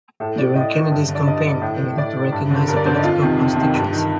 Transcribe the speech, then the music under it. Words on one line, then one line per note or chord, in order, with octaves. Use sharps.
During Kennedy's campaign, he needed to recognize a political constituency.
A2 A4
D5
A2 D#5
G2
D3
D5
G2 D#5
D3
A2
A2 D5
G2
D3
G2 A#4
D5
D3 C5
D5
D#4
F2 F4
C3 D#3
F2
C3 D#3
G2 D4
D#3